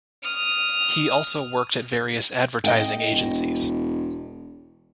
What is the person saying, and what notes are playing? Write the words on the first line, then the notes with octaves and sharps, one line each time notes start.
He also worked at various advertising agencies.
D#6 F6
D#5 F#5 G5
E1